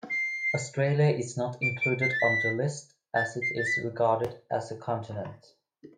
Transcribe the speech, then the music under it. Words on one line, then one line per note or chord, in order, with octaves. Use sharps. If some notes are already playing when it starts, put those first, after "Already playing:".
Australia is not included on the list as it is regarded as a continent.
C7
D7
D7
C7
A6
B6
A6
C7
A6
B6